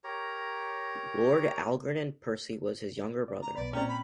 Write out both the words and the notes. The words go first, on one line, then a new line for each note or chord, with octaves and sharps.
Lord Algernon Percy was his younger brother.
G4 A#4 C#5 A#5
D5
A#5
B1 B3 D5 B5
A#2 C4 C#4 D5 G5 A#5
B5